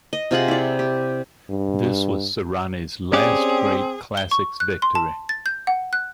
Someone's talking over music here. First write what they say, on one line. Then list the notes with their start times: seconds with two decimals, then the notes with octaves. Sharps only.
This was Saronni's last great classics victory.
0.13 D#5
0.31 C3 F4 G#4 F#5
0.48 E4 D5
0.79 G4
1.50 G2
3.13 C4 C#4 G4 G#4 D5
4.17 G7
4.31 C#6
4.60 F#6
4.82 C6
4.95 A5
5.29 A6
5.46 G6
5.67 F#5
5.93 F#6